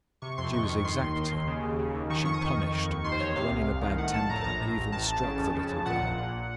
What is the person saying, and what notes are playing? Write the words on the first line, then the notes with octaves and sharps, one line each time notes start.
She was exacting; she punished, and, when in a bad temper, even struck the little girl.
C3 C#6
F2 C6
F2 C#6
D#3
D#3 C6
D#2
D#3
D#2
C#3
D#2
C#3
D#2
D#3 C#6
F2 C#6
D#6
D#3 C#6
F2
D#3
D#2
D#3 C6
C5
D#2 C#5
C3 F5
C2
C2
D#3
A2 F#5
A#1 A5
A2 A#5
A5
A#1 A#5
A2
A1
A2 A5
A1
C#3
F2
C#3
F2
A#2 F#5
A#1
A#2